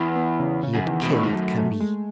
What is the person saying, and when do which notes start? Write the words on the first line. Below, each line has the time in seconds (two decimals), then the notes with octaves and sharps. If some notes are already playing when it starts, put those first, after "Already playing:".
He had killed Camille.
Already playing: E2
0.16 B3
0.39 C#3
0.63 C#3
0.75 F#2
0.86 E2 D#3
1.02 B2
1.10 A2 D#3
1.23 G#2
1.33 F#2 A3
1.57 A3
1.80 G#3